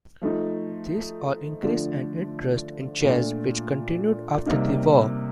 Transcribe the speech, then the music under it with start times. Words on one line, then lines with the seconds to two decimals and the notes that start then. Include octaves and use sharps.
This all increased an interest in jazz which continued after the war.
0.22 F3 A3 D#4
1.63 D3 F3 A3 D4
3.04 A#2 A3 D4
4.46 C3 G3 A#3 D#4